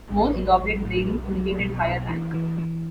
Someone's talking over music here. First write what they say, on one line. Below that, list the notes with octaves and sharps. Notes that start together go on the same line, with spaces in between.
More elaborate braiding indicated higher rank.
A1
F#3
A1
A2
B1
F#3
B2
B1
E3
E3
E3